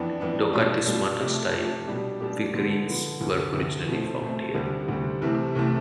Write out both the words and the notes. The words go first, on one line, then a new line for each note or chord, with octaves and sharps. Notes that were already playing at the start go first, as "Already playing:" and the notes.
'Dokathismata style' figurines were originally found here.
Already playing: F2 E3 B3 D4
F2 E3 B3 D4
B2 G3 D4 F4
B2 G3 D4 F4
C3 F3 A3
C3 F3 A3
B2 G3 D4 G4
B2 G3 D4 G4
D3 F3 B3
D3 F3 B3
D2 C3 F3 B3
D2 C3 F3 B3
B2 A3 C4
B2 A3 C4
D2 C3 G3 C4
D2 C3 G3 C4
C2 C3 E3 A3 C4
C2 C3 E3 A3 C4